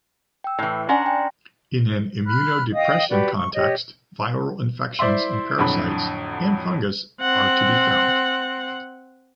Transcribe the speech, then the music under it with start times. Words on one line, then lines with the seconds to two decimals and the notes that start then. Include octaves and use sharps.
In an immunodepression context, viral infections and parasites and fungus are to be found.
0.44 G5 E6
0.59 A2 E3
0.89 C#4 D4 F#5 A#5 C6 A#6
1.02 G5 G#5
2.25 B5 F6 F#6
2.74 D#5 F5 G5 D#6
3.09 F#4 G4 B4 D5
3.38 C#6
3.55 G4 C#5 D#5
4.99 E4 C5 D5 E5 C6
5.58 F2 A2 D3 F#3 B5
7.21 C4 F#5